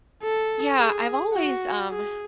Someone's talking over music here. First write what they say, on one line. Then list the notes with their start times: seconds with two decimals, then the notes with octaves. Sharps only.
Yeah, I've always, um
0.23 A4
0.78 G#4
1.33 F#4
1.89 G#4